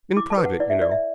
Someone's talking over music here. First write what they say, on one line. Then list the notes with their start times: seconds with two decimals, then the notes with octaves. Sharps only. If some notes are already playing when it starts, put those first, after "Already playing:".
"In private, you know."
0.16 E4 D6
0.30 A5
0.38 B4
0.45 F#5
0.60 E4 D5
0.70 E5
0.81 E4 D5
0.91 E5